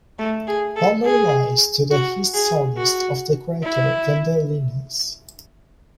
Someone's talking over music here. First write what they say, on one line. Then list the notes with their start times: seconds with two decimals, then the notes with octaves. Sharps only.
Balmer lies to the east-southeast of the crater Vendelinus.
0.19 A3
0.47 G#4
0.76 A4
1.05 G#4
1.91 F#4
2.34 G#4
2.77 F#4
3.63 E4